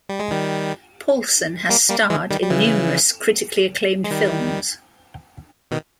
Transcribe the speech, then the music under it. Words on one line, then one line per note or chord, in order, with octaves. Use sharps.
Paulson has starred in numerous critically acclaimed films.
G3
G#3
D#3 G3
G3 A#3
G3 A#3
E3 G#3
D#3 G3
G3
C#3 E3
G#3
D#3 G3
B2 D#3